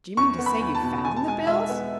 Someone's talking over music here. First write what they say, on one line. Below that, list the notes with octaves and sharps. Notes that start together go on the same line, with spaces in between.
"Do you mean to say you found the bills?"
E2 C#6
B3
B5
E2
A5
B2
B2 G#5
A5
G#3 G#5
G#3 E5
B3